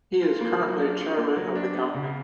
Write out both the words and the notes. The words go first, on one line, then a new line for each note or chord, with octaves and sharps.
He is currently chairman of the company.
F4
A#3
F#3
D4
F4
A#3
F#3
D4
B3
C#3